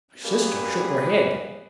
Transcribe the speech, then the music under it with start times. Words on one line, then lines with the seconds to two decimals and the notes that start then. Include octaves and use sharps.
My sister shook her head.
0.24 F#2 G3 A#3 G#4 B4